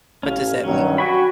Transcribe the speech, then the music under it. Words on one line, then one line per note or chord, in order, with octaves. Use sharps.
What does that mean?
A1 C#4 F5
G2 D#3 F#3 C#4
F#4 G5 G#5 B5